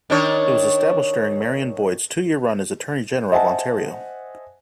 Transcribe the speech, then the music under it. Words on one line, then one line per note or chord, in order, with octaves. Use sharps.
It was established during Marion Boyd's two-year run as Attorney General of Ontario.
D#3 D4 C#5
C5 D#5 E5 F#5 G#5 A5